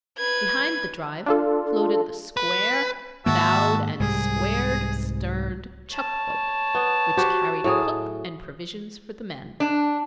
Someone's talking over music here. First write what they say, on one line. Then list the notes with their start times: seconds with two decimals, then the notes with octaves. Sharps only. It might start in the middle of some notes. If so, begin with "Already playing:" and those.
Behind the drive floated the square bowed and square sterned chuck-boat, which carried cook and provisions for the men.
0.18 B4 G#6
1.26 D4 F4 A4
2.37 B4
3.26 G#2 D#3 A#3 F#4 E5 A5
4.00 C2 G#2 G3 G#4
5.90 C#5 A5
6.75 B3
7.17 F#4 G4 C5
7.64 A2 F#3 G#4
9.60 D4